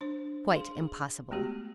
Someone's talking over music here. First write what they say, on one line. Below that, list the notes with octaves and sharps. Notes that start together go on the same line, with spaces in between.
Quite impossible!
D4 C5
G#4 F5 C6
G#3 A3 B3 F#4 G4